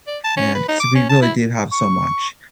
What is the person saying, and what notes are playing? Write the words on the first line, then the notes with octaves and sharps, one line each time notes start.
and 'cause we really do have so much,
D5
A5
C#4
B4
D#4
D6
C#4
A5
E4
C#6